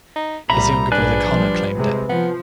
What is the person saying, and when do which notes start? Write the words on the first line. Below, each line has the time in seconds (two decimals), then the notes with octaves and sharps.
His younger brother, Conor, claimed it.
0.16 D#4
0.50 C2 A#2 G3 E5 A#5 B5
0.92 A#1 G#2 D4 B4 G#5 F#6
1.29 F3 G3
1.76 C3 G#3
2.09 F3 B3